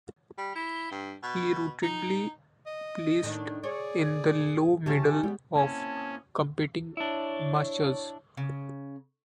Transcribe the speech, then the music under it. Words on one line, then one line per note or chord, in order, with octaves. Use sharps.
He routinely placed in the low middle of competing mushers.
G3
E4
G2
B2
D#4
D#5
A2 D#3 D4
G#4 C#5 D5
E3 C#4 E4 G4 A5
G3 G#3 B3
A#3 C4 C#4 E4 A5
D4 E4 C#5
C#3